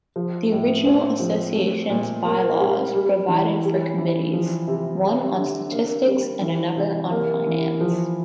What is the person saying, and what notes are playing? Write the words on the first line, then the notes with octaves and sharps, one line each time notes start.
The original association's By-laws provided for committees: one on statistics and another on finance.
F3
A2
C4
F3
A3
A#2
A#3
G3
G3
E3
G3
E3
F3
C3
G3
D3
A#3
G3
E3
C3
A#3
E3
F3